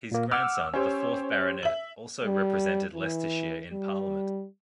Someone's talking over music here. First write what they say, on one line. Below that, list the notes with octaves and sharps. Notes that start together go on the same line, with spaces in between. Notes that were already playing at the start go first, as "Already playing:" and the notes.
His grandson, the fourth Baronet, also represented Leicestershire in Parliament.
A#2 A#3
F#5 D6 E6 F6
C#4 G4 C5 C#5
E5 F#7
G3
E3
G3